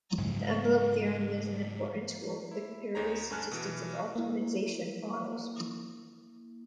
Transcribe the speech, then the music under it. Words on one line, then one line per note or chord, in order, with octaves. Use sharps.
The envelope theorem is an important tool for comparative statics of optimization models.
G#2 C#3 F#3 G#3
E4
D2 D#4 C5 C#5 A#5
G2 C#4 G#5 A5 F6 F#6
B2 E3
A#3 E4